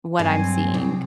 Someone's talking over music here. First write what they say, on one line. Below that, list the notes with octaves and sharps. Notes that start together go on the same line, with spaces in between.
what I'm seeing.
G2 F#3 C4 G#5
C2